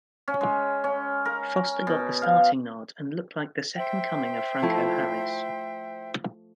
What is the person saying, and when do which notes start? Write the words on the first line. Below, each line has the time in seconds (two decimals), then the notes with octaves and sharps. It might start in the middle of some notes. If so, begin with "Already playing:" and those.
Foster got the starting nod and looked like the second coming of Franco Harris.
0.28 C#4
0.41 G#3
0.84 C#4
1.25 A#4
1.87 B2
2.22 F5
3.76 C5 E5 G5
4.62 F3 A3 E4